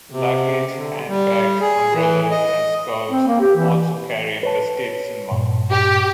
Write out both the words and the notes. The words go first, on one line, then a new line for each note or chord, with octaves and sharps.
Luggage, handbags, umbrellas and scarves also carried the Stetson mark.
C3
D3
G3
G#4
E3
D#5
C4
A#3
G4
E3
B4 C#5 A5
G2 A#2
G4